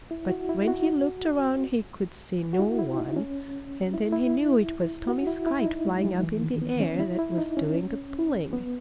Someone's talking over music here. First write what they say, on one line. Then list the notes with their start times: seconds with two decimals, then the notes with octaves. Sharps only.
But when he looked around he could see no one, and then he knew it was Tommie's kite, flying up in the air, that was doing the pulling.
0.11 E4
0.29 F#4
0.49 E4
0.68 F#4
2.53 F#4
2.59 E4
2.79 E4
2.98 D#4
3.16 C#4
3.94 E4
4.12 E4
5.08 F#4
5.27 E4
5.46 E4
5.66 D#4
5.85 G#3
6.04 F#3
6.23 E3
6.42 D#3
6.62 B3
6.80 C#4
6.99 E4
7.19 E4
7.38 D#4
7.57 C#4
8.53 B3